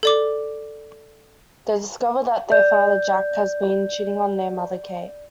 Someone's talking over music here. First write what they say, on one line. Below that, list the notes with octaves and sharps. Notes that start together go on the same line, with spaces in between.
They discover that their father, Jack, has been cheating on their mother, Kate.
A4 D5 D6
D5 G6